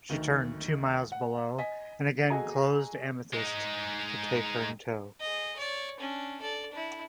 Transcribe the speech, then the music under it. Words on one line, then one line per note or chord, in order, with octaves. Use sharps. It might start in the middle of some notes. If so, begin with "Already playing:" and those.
She turned two miles below and again closed "Amethyst" to take her in tow.
D2 D#3
F#5
D#5 G#5 B6
F#4 G#4 A4 D#5 G#5 A#5
G#3 D#4
G#4 D#5
C#5 D5
C#4 D4
A4 D5
D4 E4